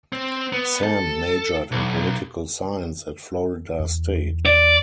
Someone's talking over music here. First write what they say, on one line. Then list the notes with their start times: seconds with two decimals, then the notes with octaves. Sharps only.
Sam majored in political science at Florida State.
0.12 C4
0.53 B3
0.83 A4
1.71 B1
3.80 E2
4.46 D5